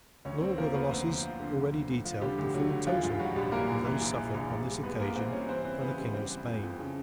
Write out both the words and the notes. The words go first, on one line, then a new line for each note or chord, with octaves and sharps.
Nor were the losses already detailed the full total of those suffered on this occasion by the King of Spain.
D2 C#4 C#5
D3 C4 C5
F3 A#3 A#4
D2 B3 B4
D2 C4 C5
D2
F3
D3
D2
D2
D2
F3
D3 G3 G4
D2
D3 F#3 F#4
D2
E3 F3 F4
G#2 F3 F4
F#3 G3 F#4
A#1 G3 G4
E3 A#3 A#4
A#1
E3
A#1
E3
A#1
A#1
G3
G#2 B3 B4
G#2 A#3 A#4
E3 C4 C5
G3 C#4 C#5
E3 C4 C5
E3
C#3 B3 B4
G3
G3 C4 C5
E3
F2
F2
C#3